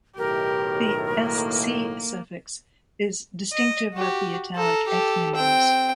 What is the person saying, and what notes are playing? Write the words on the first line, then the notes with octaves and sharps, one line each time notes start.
The -sc- suffix is "distinctive of the Italic ethnonyms".
B1 A2 D#3 G4 A#4
A#3
D#5
F#4 G4
A4 A#4
G4 A4
C4 G5